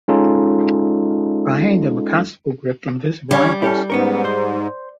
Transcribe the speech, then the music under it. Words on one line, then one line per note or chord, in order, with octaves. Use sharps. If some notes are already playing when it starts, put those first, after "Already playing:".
Behind him a constable gripped invisible ankles.
G#3 C#4 D#4 F4 A4
G2 D3 G3 C#4 C#5
C#4 E4 G4 A4
G#2 B3 C#4 A#4
C5